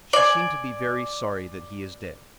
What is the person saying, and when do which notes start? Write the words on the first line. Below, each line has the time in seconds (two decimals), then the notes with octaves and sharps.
"She seems to be very sorry that he is dead."
0.13 D5 G#5